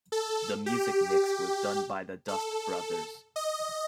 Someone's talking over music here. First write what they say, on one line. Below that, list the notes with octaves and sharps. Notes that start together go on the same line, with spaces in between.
The music mix was done by the Dust Brothers.
A4
G4
A4
D#5